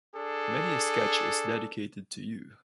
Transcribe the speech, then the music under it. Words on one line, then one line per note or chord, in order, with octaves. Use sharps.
Many a sketch is dedicated to you.
D4 G#4 A4